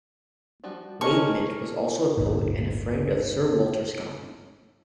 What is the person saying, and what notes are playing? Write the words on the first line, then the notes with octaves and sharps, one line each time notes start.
Maidment was also a poet and a friend of Sir Walter Scott.
F3 G3 F#4
C#4 A4 A#4 C5 D#5 C#6
D1 G1 A#2